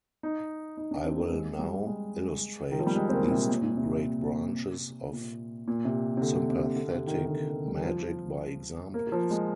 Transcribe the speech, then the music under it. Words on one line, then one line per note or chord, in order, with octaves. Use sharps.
I will now illustrate these two great branches of sympathetic magic by examples.
D#4
D#4
D4
C4
A#3
G#3
G3
G#3
D#3
F3
G3
G#3
C4
A#3
A#2
C3
A#2
C3
A#2
A#2
C3
C3
D3
C3
D3
C3
D#3
D3
D#3
D3
D#3
G3
F3
A#3
F3
G#3